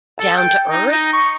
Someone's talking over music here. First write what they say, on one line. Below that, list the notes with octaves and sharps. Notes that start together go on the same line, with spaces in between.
down to earth.
A4
G5
D#4
D#4
C#6